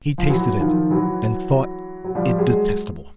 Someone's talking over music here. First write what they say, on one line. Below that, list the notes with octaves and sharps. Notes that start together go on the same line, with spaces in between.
He tasted it, and thought it detestable.
F3
E3 F#3
D#3 F3
E3 F#3
F#3
F3 G3
F#3 G#3